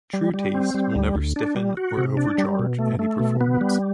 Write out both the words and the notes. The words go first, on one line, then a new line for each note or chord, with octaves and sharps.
True taste will never stiffen or overcharge any performance.
G3
G3
C4
G3
D2
D2
D4
G3
F#4
C3
D4
G3
B2
A3
A3
B2
B3
G3